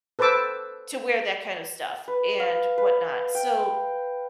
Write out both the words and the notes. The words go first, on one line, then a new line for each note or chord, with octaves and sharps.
to wear that kind of stuff and whatnot. So,
A4 B4 C5 A5 D6 E6
B4
F5
B4
G5